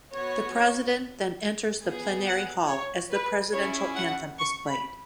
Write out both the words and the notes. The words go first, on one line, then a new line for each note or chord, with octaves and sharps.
The President then enters the Plenary Hall as the Presidential Anthem is played.
B3 F#4 C#5
B3 G#4
F#5
C#5
B4
C#4 E4 G#4 C#5
F#5
C#6
B5